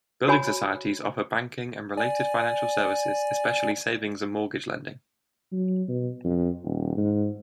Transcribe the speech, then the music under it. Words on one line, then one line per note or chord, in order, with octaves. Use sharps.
Building societies offer banking and related financial services, especially savings and mortgage lending.
F#4 C#5 G#5 B5
D5 G#5
F#3
B2
F2
D#1
G#2